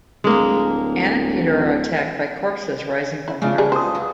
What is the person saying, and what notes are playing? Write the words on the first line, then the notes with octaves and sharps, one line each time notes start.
Anne and Peter are attacked by corpses rising from the earth.
D1 G#3 A#3
E4
C#3 G#3 C#4 D4 F4
G3 G#4
G4 B4 C5 D#6
F#3